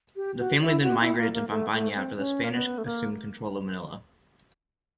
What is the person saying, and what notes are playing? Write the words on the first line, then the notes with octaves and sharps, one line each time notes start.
The family then migrated to Pampanga after the Spanish assumed control of Manila.
G4
F#4
E4
F#4
E4
A#3
A#3
A3
A3
C4
C#4
A#3
B3
A3
A#3